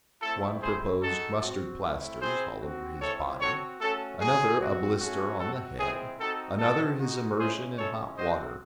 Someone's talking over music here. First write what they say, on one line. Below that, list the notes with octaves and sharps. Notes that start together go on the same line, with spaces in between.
One proposed mustard plasters all over his body; another a blister on the head; another his immersion in hot water.
A3 C4 E4 A4
C4 E4 G#4 C5
G#3 D#4 F#4 A4
C4 F#4
A3 C4 E4
C4 E4 G#4 C5
C4 F#4
G#3 C4 E4 A4 C#5
C4 F#4 A4 C#5
A3 C#4 F#4 A4
G#3 D#4 F#4 G#4
C4 F#4
A3 C#4 F#4
C4 F#4 A4
G#3 C4 E4 G#4
C4 D#4 F#4 A4
C4 D#4 F#4 A4
G#3 D#4 F#4
G#3 C#4 E4 G#4 C5
G#3 C#4 E4 A4 C#5
C4 F#4 C5 D#5